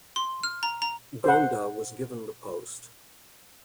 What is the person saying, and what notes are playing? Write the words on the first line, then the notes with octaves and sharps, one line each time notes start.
Ghonda was given the post.
C6
F6
A#5
A#5
C5 F#5